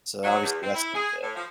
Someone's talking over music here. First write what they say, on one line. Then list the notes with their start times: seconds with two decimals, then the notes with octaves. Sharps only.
so obviously that's not good.
0.24 F#3
0.44 E2
0.63 C4
0.75 E4
0.94 G#4
1.23 A2
1.35 F3